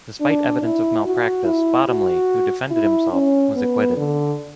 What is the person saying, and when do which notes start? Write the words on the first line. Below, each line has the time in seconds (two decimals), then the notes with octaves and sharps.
Despite evidence of malpractice, Bottomley, who defended himself, was acquitted.
0.21 D4
0.63 E4
1.05 F#4
1.45 E4
1.88 F#4
2.71 E4
3.13 C#4
3.55 B3
3.97 D3